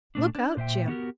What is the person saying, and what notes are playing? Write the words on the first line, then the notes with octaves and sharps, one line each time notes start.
'Look out, Jim!
A#2 A3 D4
D4
A#2 C5 E5 G5
B3 F#4 G4 A#4